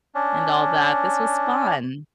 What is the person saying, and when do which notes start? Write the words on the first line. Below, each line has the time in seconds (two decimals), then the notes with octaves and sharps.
and all that, this was fun.
0.15 C#4 D4